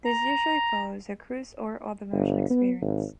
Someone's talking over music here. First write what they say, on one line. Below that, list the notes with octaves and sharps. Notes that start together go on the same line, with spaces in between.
This usually follows a cruise or other motion experience.
A#5
G1
B3
G#1